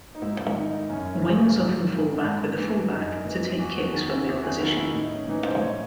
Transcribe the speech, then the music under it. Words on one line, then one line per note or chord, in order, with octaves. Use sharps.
Wingers often fall back with the fullback to take kicks from the opposition.
D#4
G#2 E4
D#3 D#4
F#2 C#4
C#3 E3
G#2
D#3
G#2
E3
F#2 D#4
E3
E2 F#4
F#4
D#3 G#4
E4
E2 E4
F#4
G#4
D#3 E4
E4
A2 D#4
C#4
E3 D#4
C5
D#5
A2 C#5